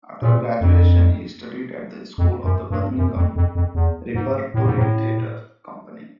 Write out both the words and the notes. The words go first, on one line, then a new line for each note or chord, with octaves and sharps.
After graduation he studied at the school of the Birmingham Repertory Theatre Company.
A#2
F2
F2
F#2
G2
F#2
F2
F2
F2
E2
G#2
A2
G#2
A2